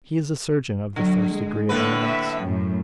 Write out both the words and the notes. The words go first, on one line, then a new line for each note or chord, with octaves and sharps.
He is a surgeon of the first degree of eminence.
D3 F#3
G#3
A2 D3 A3 A#3 B4
E5
F#2 A2